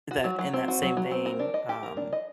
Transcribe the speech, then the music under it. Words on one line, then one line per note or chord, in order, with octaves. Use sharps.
the in that same vein, um,
F#4
F#3
F#3
C4
F#4
F#3
F#3
C4
A#4
D4
D#5
G4
A#4
D4
D#5